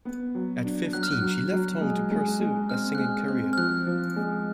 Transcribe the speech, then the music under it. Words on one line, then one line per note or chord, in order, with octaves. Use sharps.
At fifteen, she left home to pursue a singing career.
B3
F#3
D4
F#3 F#6
F6
F#6
F#3
F#3
G#3
G#3
G#3
C4 F6
F#6
G#3 F6
C4 F#6
F6
F3 F#6
F3
G#3